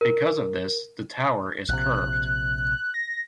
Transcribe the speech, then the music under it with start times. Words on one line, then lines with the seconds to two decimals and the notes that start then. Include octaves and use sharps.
Because of this, the tower is curved.
0.01 A#4
1.69 A#1 C3 F#6
2.94 A#6